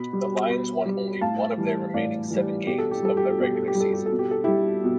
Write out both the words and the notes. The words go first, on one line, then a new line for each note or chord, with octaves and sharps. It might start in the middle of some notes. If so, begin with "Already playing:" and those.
The Lions won only one of their remaining seven games of the regular season.
Already playing: B2 B5
G3
B2
G3
A2 F5 A5
E3 G3
A2 D5 F5
E3 G3
B2 G4
A4
G4
G3 A4
G4
A4
B2 G4
A4
G4
G3
A4
G4
A4
B2
G4
A4
G3 E4 G4
B2